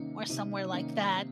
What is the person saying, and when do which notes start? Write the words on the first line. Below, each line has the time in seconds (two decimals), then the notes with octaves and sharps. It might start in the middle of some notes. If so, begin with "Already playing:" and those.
or somewhere like that,
Already playing: C3 D#3 A#3 C#4 D#4
0.30 C3 D#4
0.73 D#3 A#3 C#4 D#4
1.16 C4